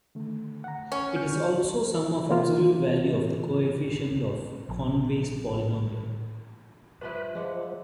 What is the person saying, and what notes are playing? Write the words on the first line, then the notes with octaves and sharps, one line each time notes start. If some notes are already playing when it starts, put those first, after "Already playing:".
It is also sum of absolute value of the coefficients of Conway's polynomial.
D3 D#3 A3
F#5 A#5
C#4
D4 F6 G6
E3 A#3 F4
A#1
G2 F3 E4 B4
F3 G#3 D4 F#5